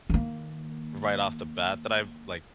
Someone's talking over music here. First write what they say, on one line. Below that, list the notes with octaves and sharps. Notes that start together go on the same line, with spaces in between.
right off the bat that I've, like,
D#3 A#3